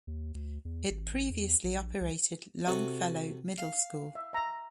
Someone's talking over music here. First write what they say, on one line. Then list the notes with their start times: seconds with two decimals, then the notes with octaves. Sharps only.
It previously operated Longfellow Middle School.
0.07 D#2
0.35 D2
0.65 E2
0.90 G#1
1.13 A1
1.31 E2
1.64 A#1
2.01 C2
2.67 C3 F#4 A4
3.58 F5
4.15 E5
4.33 E5 A#5